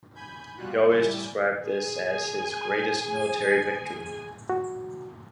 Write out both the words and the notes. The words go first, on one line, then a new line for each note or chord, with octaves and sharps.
He always described this as his greatest military victory.
G#5 B5 G6 G#6
B2 G3 F4 F#4 F#6
A2 C#3 G3 E4 D5 G#5
G#4 G#5
F#4